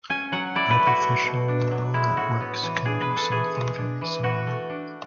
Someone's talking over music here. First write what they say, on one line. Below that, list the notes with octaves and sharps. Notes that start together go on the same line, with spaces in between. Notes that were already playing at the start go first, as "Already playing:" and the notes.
Artificial neural networks can do something very similar.
C#4 G#5
F#3 F#5
E4 D5
B4
A3
F#4
A3
B2
D4
F#3
G#3 E4
A2 F#4
B3
E3
D4 G#4
B4
E3
A4
E3 G#4
G#3
D4
E3
E3 F#4
A3
D4